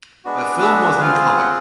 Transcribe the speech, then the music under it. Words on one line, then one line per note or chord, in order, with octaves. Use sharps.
The film was in colour.
G#3 B3 D4 F#4
E5
C4 F4 G#4 F5
F#5